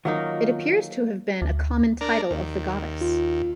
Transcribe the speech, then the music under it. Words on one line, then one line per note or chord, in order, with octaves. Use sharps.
It appears to have been a common title of the goddess.
D#3 F#3 A#3 D#4 F4
D2
D4 A#4
D#2
F4